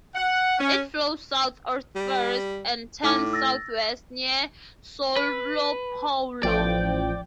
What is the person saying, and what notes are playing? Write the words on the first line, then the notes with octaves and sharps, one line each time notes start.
It flows south at first, and turns southwest near Soulopoulo.
F#5
C#4
G3
A2 D#4 D6 F6
E6 A6 A#6
B4
A1 F3 D5 G5